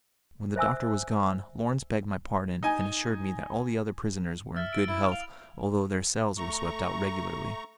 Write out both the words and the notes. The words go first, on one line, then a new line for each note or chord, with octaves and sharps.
When the doctor was gone, Lawrence begged my pardon, and assured me that all the other prisoners were in good health although their cells were swept out regularly.
C5 E5 G#5 E6
D#4 G#5
E5 E6 F6 A6
D7
E4
F5 F7
A3 A#5 C#6